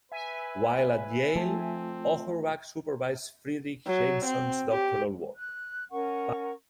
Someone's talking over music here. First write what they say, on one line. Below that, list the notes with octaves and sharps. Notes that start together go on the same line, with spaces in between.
While at Yale, Auerbach supervised Fredric Jameson's doctoral work.
B4 E5 G#5
F3 A3 C4 F4 A5
F#3
C4
G4
F#6
C#4 A#4 F#5 C#6